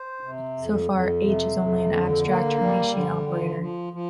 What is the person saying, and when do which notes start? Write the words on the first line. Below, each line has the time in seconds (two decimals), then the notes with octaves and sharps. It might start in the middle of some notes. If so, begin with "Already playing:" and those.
So far, H is only an abstract Hermitian operator.
Already playing: C5
0.23 C3
0.57 F2
0.90 F2
1.23 C3
1.57 F2
1.91 D3
2.25 A#3
2.59 G3
2.92 D3
3.26 F3
3.60 F3
3.93 F3